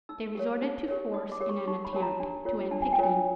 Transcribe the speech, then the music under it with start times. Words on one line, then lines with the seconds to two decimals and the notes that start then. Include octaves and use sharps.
They resorted to force in an attempt to end picketing.
0.09 D#4 E6
0.35 G4 A#4 C#5
0.62 D#4
0.88 G4 A#4 C#5
1.14 D#4 D#6
1.32 D6
1.40 G4 A#4 C#5
1.49 C#6
1.67 D#4 C#6
1.85 B5
1.93 G4 A#4 C#5 A5
2.02 A#5
2.20 D4
2.45 F4 A#4 C#5
2.71 D4 A5
2.82 G#5
2.93 G5
2.98 F4 A#4 C#5 G#5